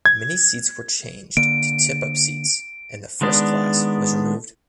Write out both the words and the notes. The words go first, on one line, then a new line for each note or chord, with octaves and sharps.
Many seats were changed to tip up seats and the first class was removed.
G#6
D3 A#3 D7
D#3 G#3 B3 D4